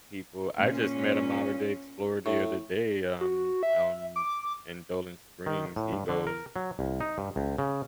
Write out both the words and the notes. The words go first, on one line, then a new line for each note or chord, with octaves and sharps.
people I just met a modern-day explorer the other day, um, out in in Dolan Springs. He goes
A#2 C#4
A2
F#4
E5
D6
D#3
A2
G2
D3
A#4
F#3
C2
D#4
G2
C#2
C#3